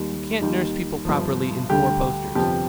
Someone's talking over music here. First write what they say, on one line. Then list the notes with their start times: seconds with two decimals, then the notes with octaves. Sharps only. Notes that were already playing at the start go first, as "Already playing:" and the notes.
You can't nurse people properly in four-posters.
Already playing: D#2 D#3 G3
0.41 D#2 D#3 G3
1.05 G1 G2 F3
1.70 D2 D3 G3 G4
2.35 G1 F2 C3 F3 G4